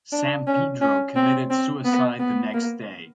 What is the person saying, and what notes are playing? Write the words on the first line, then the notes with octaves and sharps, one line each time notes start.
Sampedro committed suicide the next day.
D4
C#4
C#4
C4
C4
B3
B3
A#3